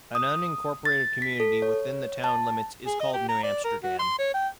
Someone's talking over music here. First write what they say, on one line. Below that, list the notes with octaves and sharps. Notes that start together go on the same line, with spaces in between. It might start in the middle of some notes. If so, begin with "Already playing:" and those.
An unincorporated community within the town limits is called New Amsterdam.
D#6
A6
B6
A4
C#5
A5
G#4
D#5
G4
A#5
D5
A#4
F#4
C6
C#5
G5